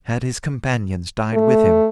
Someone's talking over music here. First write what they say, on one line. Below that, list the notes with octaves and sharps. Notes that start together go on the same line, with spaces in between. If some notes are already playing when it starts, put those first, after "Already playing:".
Had his companions died with him?
A3